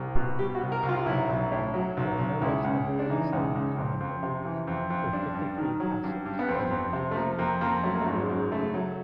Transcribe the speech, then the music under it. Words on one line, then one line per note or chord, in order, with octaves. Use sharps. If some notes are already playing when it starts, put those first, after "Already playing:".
There were no less than thirty-seven "Commanderies", with fifty-three castles or villages.
Already playing: C2
B2
G3 G4
F#4
C2
A#4
C2
F4
B1 E4
B1
A2
F#3
B1
B1
C#2 E4
C#2
C#3
D4
E3 D#4
C#2
C#2
F2
F2
C3
E3
F2
F2
G2 D4
G2
D#3
F#3
G2
G2
B3
F2 C4
F2
C3
A3
F3 A#3
F2 A#3
F2 A#3
F#3 A3
A#3
A3
G#1
G#3
F#2
G#3
C#3 A3
F#3